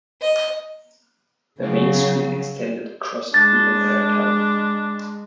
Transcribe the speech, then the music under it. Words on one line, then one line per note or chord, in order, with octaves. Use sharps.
The Main Street extended across the entire town.
D#5
C#3 F#3
G#3 D4 A6